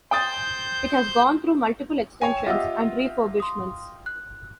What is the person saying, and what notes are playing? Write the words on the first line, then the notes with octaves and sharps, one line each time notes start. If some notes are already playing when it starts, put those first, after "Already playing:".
It has gone through multiple extensions and refurbishments.
C5 G5 D#6 G6 A6
C#5 G5 G#5
F4 G4 D#5 E5 F#5 E6
C6 D#6
F#6